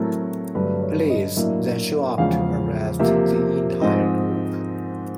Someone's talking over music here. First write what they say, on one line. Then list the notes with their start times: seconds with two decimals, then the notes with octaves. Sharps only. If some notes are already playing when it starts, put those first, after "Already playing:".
Police then show up to arrest the entire group.
Already playing: A2 F#3 A3 C4 A#4
0.55 G2 D3 F#3 A3 B4
0.82 C#5
1.10 D#5
1.36 A2 F#3 A#3 D4 E5
2.18 E2 C#3 F3 G#3 C#4 F5
3.00 C3 F3 A#3 E5
3.81 G#2 F3 G#3 C4 D#4 D#5